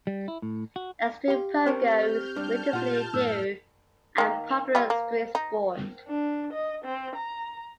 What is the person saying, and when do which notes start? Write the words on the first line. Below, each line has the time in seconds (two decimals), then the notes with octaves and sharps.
Extreme pogo is a relatively new and popular extreme sport.
0.07 G3
0.28 E4
0.42 A2
0.76 F#4
1.28 G4 F5 C6
1.66 C4 A#4 C5 C#6 F6 G6
2.36 G3 D4 A5 F6 G6
2.73 A#2 F4 F#5
3.14 F#2 A2 E6 F6
4.18 D#3 A#3
4.75 G3 E4 F4
4.90 A#3
5.35 D#4
6.07 D4
6.53 D#5
6.85 C4
7.15 A#5